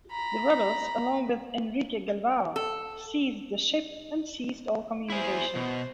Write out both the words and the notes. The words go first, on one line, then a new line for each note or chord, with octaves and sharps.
The rebels, along with Henrique Galvao, seized the ship and ceased all communication.
A#5 B5
A4
E4 G#4 C5
B2